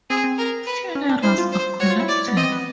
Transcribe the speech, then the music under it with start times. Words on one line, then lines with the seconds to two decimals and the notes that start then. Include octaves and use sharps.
Funerals are collective.
0.10 C4 G#4
0.24 C4
0.38 A#4
0.67 B4
0.95 C#4
1.09 D4
1.23 E4 C5
1.38 F4
1.52 C5
1.80 F#4 C#5
1.90 F4
2.00 E4
2.09 D5
2.28 B3
2.37 C4 D#5
2.52 B3